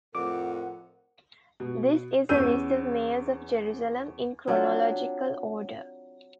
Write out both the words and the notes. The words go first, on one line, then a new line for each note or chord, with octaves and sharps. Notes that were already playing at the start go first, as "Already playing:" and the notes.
This is a "list of mayors of Jerusalem" in chronological order.
F2 A2 A#4 F#5 D6
B2
E2 C#4 E6 G6 D#7
F#3 C4 D4 F4